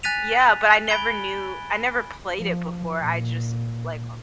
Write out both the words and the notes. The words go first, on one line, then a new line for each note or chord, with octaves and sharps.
Yeah, but I never knew I never played it before. I just like, uh
G#5 F#6 A6 B6 D#7 F7
B5 G#6 D7 G7
F3
A#2